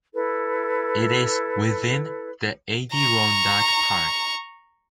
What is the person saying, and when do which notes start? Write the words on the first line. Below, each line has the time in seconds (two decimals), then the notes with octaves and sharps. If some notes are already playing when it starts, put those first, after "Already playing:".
It is within the Adirondack Park.
0.13 E4 A4 B4
2.92 A#5 C#6